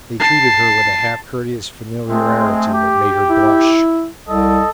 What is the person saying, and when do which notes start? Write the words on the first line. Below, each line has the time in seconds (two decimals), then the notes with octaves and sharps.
They treated her with a half-courteous familiarity that made her blush.
0.20 A5 C7
2.08 G#3 A3 C4
2.73 G4
3.30 E4
4.29 C2 A4 D#5